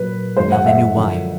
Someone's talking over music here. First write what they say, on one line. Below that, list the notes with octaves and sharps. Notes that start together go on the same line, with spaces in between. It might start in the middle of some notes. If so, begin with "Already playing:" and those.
Now they knew why.
Already playing: A#2 F#3 A#3 B4
F#2 D#3 G#3 C5
F#5
E5
F#2 D3 F3